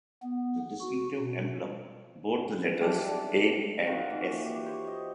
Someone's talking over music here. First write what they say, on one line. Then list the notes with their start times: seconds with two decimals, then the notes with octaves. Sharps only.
The distinctive emblem bore the letters "A" and "S".
0.22 B3
0.80 F#4
1.18 B2
2.81 F#3 G3 D4 D#4 G4 D5 E5 A5
3.87 D#3 F4 F#4
4.10 A#2 E3
4.45 G4
4.66 C5 C#5
4.87 D#5